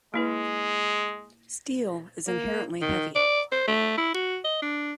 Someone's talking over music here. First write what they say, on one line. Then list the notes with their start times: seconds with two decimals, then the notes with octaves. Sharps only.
Steel is inherently heavy.
0.14 G#3 A#3 E4 B4
2.27 A#3
2.82 D#3
3.15 D5
3.52 C5
3.67 A3
3.98 E4
4.14 F#4
4.44 D#5
4.62 D4